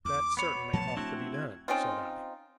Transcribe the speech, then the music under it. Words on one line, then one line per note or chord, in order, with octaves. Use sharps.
"That certainly ought to be done," said I.
E2 D6
B3 C#5 B5
A#2 F3 A3 A5
A3 C4 D4 E4 F#4
G#6
C4 C#4 D#4 F4